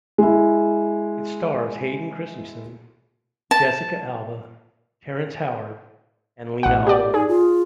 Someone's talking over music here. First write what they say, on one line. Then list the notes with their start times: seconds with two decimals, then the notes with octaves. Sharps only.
It stars Hayden Christensen, Jessica Alba, Terrence Howard and Lena Olin.
0.18 G#3 E4
3.51 A5
6.63 A1 F#5
6.87 G4 D5
7.14 D#4 G#4
7.28 F4